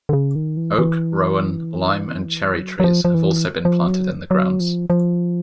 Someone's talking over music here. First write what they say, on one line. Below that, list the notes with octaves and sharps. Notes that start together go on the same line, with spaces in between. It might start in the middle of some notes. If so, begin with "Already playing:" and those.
Oak, Rowan, Lime and Cherry trees have also been planted in the grounds.
D3
C#3
D#3
E3
E3
F#3
F#3
F3
F3
E3
F3
F#3
F#3
F3
F3